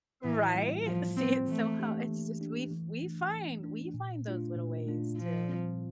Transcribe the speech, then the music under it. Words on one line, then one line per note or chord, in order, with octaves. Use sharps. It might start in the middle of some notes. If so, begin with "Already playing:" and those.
Right? See, it's so How it's just we f we find We find those little ways to
A2 E3
G3 A#3 F4
A2 F3
G3 A#3 C4 F4
E3 A3
A#3 D4 G4
E3
A#3 D4 G4
E3
A3 D4
E3
A3 D4
A#2
A3 D4 F4
A#2
A3 D4 F4
A#2 F3
G3 C4 F4